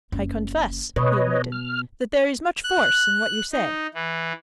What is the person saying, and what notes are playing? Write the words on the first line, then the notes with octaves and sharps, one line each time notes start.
"I confess," he admitted, "that there is much force in what you say."
F#1
B2 B4 C#5 D#5
F6
F#6
D#4
E3